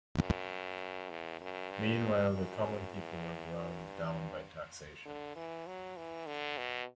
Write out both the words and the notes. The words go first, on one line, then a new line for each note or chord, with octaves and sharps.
Meanwhile, the common people were ground down by taxation.
F#2
E2
F#2
G2
F#2
E2
F#2
G2
D3
E3
F#3
E3
D3
B2